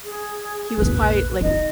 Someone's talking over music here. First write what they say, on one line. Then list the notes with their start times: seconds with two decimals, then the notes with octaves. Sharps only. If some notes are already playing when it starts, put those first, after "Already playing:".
he was pi like,
0.04 G#4
0.78 A#1 E2 B4
1.41 D#4 D#5